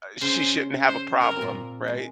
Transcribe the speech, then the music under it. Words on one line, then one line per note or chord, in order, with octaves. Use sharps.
uh, she shouldn't have a problem, right?
C#3 C#4 C5
C5
A#3 A#4
C4
A#2 A#3
G#3